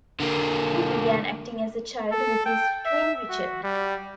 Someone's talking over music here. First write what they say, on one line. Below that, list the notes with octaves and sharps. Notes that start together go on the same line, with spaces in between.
He began acting as a child with his twin Richard.
D3 A#3
A4
G5
E5
F#4
G3